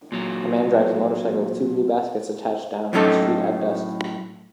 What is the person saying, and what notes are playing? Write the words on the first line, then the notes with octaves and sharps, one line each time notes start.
A man drives a motorcycle with two blue baskets attached down a street at dusk.
A#2 F#3
A2 F#3 C#4 D#4 A4 A5